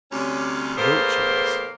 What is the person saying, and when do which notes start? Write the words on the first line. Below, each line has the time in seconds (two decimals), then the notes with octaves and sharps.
Goat cheese.
0.12 D2 C3 G3 C#4
0.76 E2 A2 A#3 B3 A4 C5